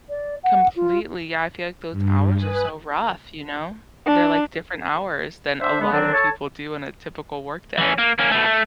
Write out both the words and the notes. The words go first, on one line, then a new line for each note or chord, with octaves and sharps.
Completely. Yeah, I feel like those hours are so rough, you know? They're, like, different hours than a lot of people do in a typical workday.
D5
F#5
F4
G2
B4 G#5 D#6 F#6
D4
D4 C5 E5
G#3 B3
D3 D#3 F#3 C4 D4
A4 C#5 A5
E3 C#4
A#3
A#3 C#4
B2 A3
A3